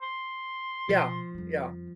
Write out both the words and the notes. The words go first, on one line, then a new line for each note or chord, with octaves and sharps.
Yeah, yeah.
C6
B2 F3
F2 G3